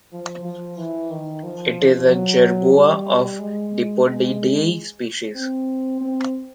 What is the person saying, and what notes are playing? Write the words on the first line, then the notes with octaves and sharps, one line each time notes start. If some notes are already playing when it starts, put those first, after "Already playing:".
It is a jerboa of the Dipodidae species.
F3
F3
E3
D#3
F3
F#3
G3
G#3
G#3
C4
C4